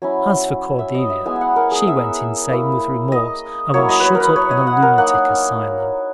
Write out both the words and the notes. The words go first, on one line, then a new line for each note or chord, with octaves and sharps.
As for Cordelia, she went insane with remorse and was shut up in a lunatic asylum.
F#3 C#4 E4 G#5
E5
D#5
E5
G#3 B3 E4 G#5
G#5
F#5
A#4
G#4
E5
A#3 E4
D#5
F#3 A#3 E4 C#5
D#5
B4
C#5
A#4
B4
C#5
D#5
F#5
A#4
A#3 D#4 F#5
G#5